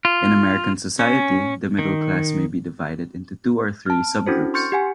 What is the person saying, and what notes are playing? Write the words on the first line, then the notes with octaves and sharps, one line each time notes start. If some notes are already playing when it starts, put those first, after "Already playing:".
In American society, the middle class may be divided into two or three sub-groups.
F4
C#4
D#3
A5 F6
C#4 D4 E4 F#4 A4 C5
C6 C#6 F6 G6 A6 C#7
G4 F#5 G#5